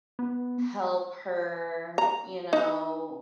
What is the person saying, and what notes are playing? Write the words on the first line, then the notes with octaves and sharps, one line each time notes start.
help her, you know,
B3
A#5
D#4